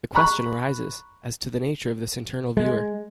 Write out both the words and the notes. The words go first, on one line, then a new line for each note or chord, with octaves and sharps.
The question arises as to the nature of this internal viewer.
A#5 B5 C#6 F#6
G#3